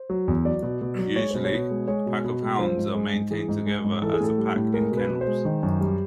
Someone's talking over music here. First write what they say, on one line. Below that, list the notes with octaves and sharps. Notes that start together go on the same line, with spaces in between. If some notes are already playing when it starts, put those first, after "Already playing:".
Usually, a pack of hounds are maintained together as a pack in kennels.
Already playing: C5
F#3
E2
F#3 D5
B2
B2
F#3
G#3 C#5
B2 C5
C#5
B2
G#3
G#3 C#5
B2
B2
G#3
F3 C5
G#2
G#3
G#2
E3 G#4
G#2
G#3
G#2
E3 A4
G#4
A2 A4
G3
A2
G#3 A#4
B2
B4
B2
C5
G#3
D#3
F#2
G3